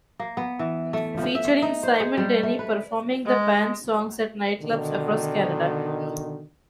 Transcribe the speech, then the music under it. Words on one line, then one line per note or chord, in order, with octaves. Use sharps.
Featuring Simone Denny, performing the band's songs at nightclubs across Canada.
A#3
B3
E3
A3
F3
E5
D#4
C5
G#4
G3
A3
B4
G#3
B2 D3 D#3